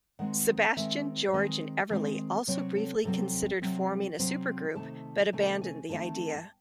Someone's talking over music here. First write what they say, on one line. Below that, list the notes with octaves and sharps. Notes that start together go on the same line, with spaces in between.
Sebastian, George and Everly also briefly considered forming a supergroup but abandoned the idea.
D#3 G#3 C4 F#5
D#3 G#3 C4 E5
C#5
D#3 G#3 C4 D#5
D#3 G#3 C4
C3 F#3 C4 C#5
A4
C3 F#3 C4 A4
C3 F#3 C4
C3 F#3 C4 C5
C3 D#3 A3 C4 A5
C3 D#3 A3 C4 G#5
G#5
C3 D#3 A3 C4 A5
A5